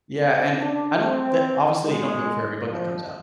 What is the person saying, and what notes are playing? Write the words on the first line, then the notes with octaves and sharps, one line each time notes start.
Yeah, and I don't the obviously they don't do it for every book that comes out,
C4
D4
C4
G#3
F3